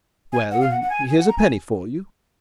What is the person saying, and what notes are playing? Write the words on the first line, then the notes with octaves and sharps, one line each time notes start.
"Well, here's a penny for you."
G#5
F#5
F5
F#5
F#5
G#5
G#5
F#5
A#5
G#5